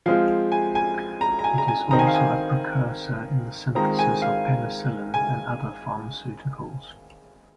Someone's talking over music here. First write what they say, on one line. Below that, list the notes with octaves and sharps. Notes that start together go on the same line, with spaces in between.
It is also a precursor in the synthesis of penicillin and other pharmaceuticals.
F3 G#3 C4 F4 F5
G#5
G#5
A#5
A#5
G#5
A#5
G#5
D#3 C4 D#4 A#5
G#5
F5
G#5
D#3 G#3 C4 F4 A#5
G#5
F5
G#5